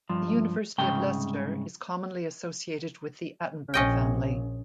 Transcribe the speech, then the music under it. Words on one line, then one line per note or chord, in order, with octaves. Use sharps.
The University of Leicester is commonly associated with the Attenborough family.
G2 F3
C2 G#2 C#3 G5
A#1 A#2 C#4 D#5 G5